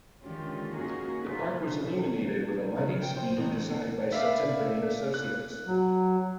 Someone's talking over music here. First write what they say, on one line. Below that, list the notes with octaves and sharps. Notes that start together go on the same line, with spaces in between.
The park was illuminated with a lighting scheme designed by Sutton Vane Associates.
D3 D#3 G#3 C#4 F4 G4
A#3 C#4 D#4 F#4 G#4 A#4
F4 B4
C#3
G5
C5
A1
B4 D5 E5 F5
F#6
F#3